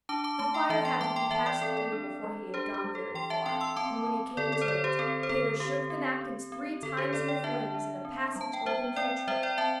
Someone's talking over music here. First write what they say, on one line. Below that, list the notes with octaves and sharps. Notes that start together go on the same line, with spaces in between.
The fire had to be passed through before he had gone very far, and when he came to it, Peter shook the napkins three times in the flames and a passage opened for trim.
D4 A5 D6
A5 D6
A3 A5 D6
G5 C6
E3 E5 A5
G5 C6
G3 A5 D6
G5 C6
E3 E5 A5
D5 G5
C4 A4 D5
A4 D5
D4
G3
D4 G4 C5
G4
G3
A4
E3 G5 C6
E5 A5
C4 G5 C6
C6 E6
C4 A5 D6
C4
D3 A4 D5
A4 D5
C5
D3 A4 D5
G4 C5
C4 A4
C5
D3 A4
C4 G4
C4
C4
C4
D3 A4
G4 C5
D3 A4 D5
D5 G5
D4 E5 A5
D4
C4
G3
A5
G5
G3 C5 E5
C4 D5 G5
G3 C5 E5
D5 G5
C4 E5 A5